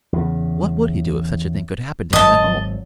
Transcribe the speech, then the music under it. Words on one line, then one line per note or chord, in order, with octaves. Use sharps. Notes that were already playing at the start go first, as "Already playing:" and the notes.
What would he do if such a thing could happen to him at home?
E2 C#3
G#1 F#3 D#5 A5